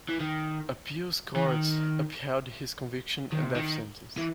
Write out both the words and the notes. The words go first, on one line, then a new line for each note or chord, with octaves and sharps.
Appeals courts upheld his conviction and death sentence.
E3
D#3
E3
D#3
D#3
C3
D#3
E3